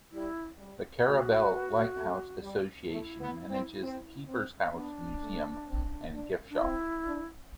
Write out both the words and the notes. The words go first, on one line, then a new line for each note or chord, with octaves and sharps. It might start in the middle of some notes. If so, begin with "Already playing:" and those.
The Carrabelle Lighthouse Association manages the Keeper's House Museum and gift shop.
G3 E4
G3
A3 F#4
B3
A3
G3
A3 E4
B3
C4
C4
C4
B3 D4
A3
C4
D4
D4
C4 E4
D4